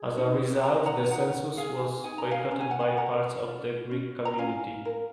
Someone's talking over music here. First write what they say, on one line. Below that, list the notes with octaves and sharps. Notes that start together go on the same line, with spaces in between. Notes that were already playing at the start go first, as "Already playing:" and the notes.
As a result, the census was boycotted by parts of the Greek community.
Already playing: G#4
D#4
G#4 A#5
F#5 A#5
D#4 F#5 A#5
G#4 F5 G#5
D#4 G#5
A#5
F5 G#5
C#4 A#5
G#5
F#5
F5 G#5
A#4 F#5 A#5
F4
C#4
A#5
C#4 F5 G#5
A#4